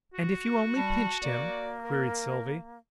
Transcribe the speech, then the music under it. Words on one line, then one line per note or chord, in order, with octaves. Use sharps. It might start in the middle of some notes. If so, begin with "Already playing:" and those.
"And if you only pinched him?" queried Sylvie.
F#4
G3 A5
A#3 D5
A#4